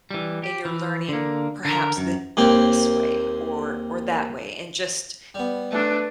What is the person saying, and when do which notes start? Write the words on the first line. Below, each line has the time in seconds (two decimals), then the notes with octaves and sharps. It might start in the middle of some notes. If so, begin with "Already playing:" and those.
in your learning, perhaps, this way or or that way, and just
0.11 E3 G3
0.44 G4
0.65 E3
1.09 D3 A#3
1.65 D3 A#4
1.97 F#2
2.37 D#2 A#3 C4 G5
5.34 G3 B3
5.71 A3 D4 B4